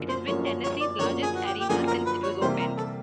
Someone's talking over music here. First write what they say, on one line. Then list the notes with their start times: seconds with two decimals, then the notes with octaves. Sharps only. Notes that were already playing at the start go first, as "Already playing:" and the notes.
It has been Tennessee's largest arena since it was opened.
Already playing: F#2 D3 F3 A#3
0.09 C5
0.27 F#2 D3 F3 A#3 C#5
0.46 C#5
0.63 C#5
0.81 D5
0.99 F#2 D3 F3 A#3 C#5
1.23 G#4
1.35 F#4
1.46 G4
1.60 G4
1.69 F#2 D3 F3 A#3 G#4
1.87 A#4
2.06 B4
2.23 C#5
2.41 C3 E3 G3 A#3 C5
2.59 A#4
2.77 A4